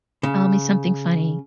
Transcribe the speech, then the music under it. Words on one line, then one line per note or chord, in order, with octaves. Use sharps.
Tell me something funny.
C#3